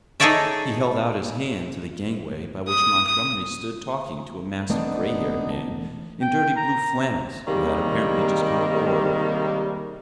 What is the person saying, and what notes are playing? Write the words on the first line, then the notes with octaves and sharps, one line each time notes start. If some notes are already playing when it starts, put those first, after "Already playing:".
He held out his hand to the gangway by which Montgomery stood talking to a massive grey-haired man in dirty-blue flannels, who had apparently just come aboard.
D#4 G#4 A4 C#5 D5 E5
D#6
D#6
E1 A3 B3 C4 D4 D#4
G5
A#5
D#2 C3 D#3 G3 G#3 A#3